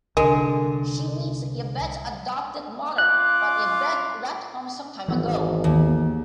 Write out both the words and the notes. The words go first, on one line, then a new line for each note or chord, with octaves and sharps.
She meets Yvette's adoptive mother but Yvette left home some time ago.
C2 D3 G#3 A#4
C#4 F4 D6 F#6
G#1 E3 B3
D#2